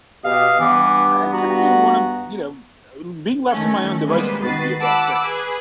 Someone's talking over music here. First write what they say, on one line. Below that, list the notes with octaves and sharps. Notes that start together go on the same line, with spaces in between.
I had kind of u wanna, you know, uh be left to my own devices wouldn't be a bad thing.
B2 G4 D#5 F5
G2 E3 B3 D6
B3 F#4 A#5
D#3 A3 C#4
G3 G#3 A#3 B3 B4 C5
D#3 F#4 B4 A6 C7
F#5 A5 B5 D6 E6
G#4 B4